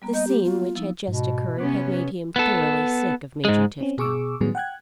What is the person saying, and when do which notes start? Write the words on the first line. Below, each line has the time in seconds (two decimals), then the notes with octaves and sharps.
The scene which had just occurred had made him thoroughly sick of Major Tifto.
0.02 G3 B3 A#5
0.14 A#3 D#5 G6
0.27 G4
0.44 F4
0.76 F3 D#4 E4
1.08 G#2 B2
1.58 C3 B3 C#4 B5 D6 F#6
2.36 B3 A4
3.45 G#2 G#3
3.81 C4 C#4
3.98 B2 G#4 C#6 D6 E6
4.41 A2 D#3 F#3 G3 B3 G#4
4.55 F#5 G5 F#6 G#6